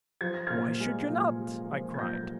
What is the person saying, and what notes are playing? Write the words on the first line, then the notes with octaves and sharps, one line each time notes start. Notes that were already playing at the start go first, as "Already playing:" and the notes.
"Why should you not?" I cried.
F3 G#6
A#6
A#2 F6 G#6
G#3
A#2
G#3
F3
G#6
A#2 G6 A#6